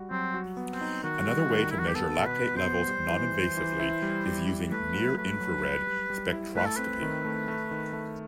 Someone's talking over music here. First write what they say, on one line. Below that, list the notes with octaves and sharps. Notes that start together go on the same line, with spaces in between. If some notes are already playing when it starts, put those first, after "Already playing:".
Another way to measure lactate levels non-invasively is using Near-infrared spectroscopy.
Already playing: G3 F#4
F#3 C4
F#4
B3
C4
D#4
D#3 F#4
G3
D#3
D#3 E4
F#4
G4
B3 A4
B2
B4
B2
C5
B3
G3
E3
E3
E3
E4
G3
G3
E4
A3 B4
F#3
A3 B4
F#3
G3
G3
G3
E4
A3 B4
A4
C4 B4
D#3
A3
A3
D#3
A3